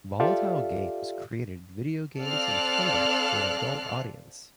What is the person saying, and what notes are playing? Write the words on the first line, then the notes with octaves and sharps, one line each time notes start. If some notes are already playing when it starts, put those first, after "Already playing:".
Volatile Games created video games intended for an adult audience.
F4 G4 A4 D5 E5 F5
C4 A4 D5 F5 F6 F#6